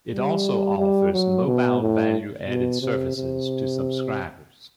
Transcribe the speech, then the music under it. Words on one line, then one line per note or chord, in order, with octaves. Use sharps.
It also offers Mobile Value Added Services to subscribers.
G3
G3
F#3
B2
A2
B2
C3
C3